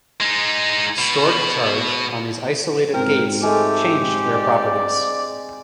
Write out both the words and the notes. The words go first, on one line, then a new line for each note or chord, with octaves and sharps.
Stored charge on these isolated gates changed their properties.
G#3 D#4
B2
G#2 C4 A#4
G#3 A3 G4
D5